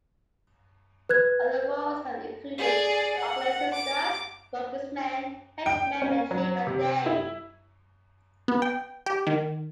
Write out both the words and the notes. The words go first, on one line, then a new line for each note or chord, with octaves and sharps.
Other roles have included: Ugly Sisters, Broker's Men, Henchmen and Chief and Dame.
B4 F#6 G#6
G#4 D5
F#5
D6
G5
C#4
F#3
C3
E4
B3
G5
G4
D#3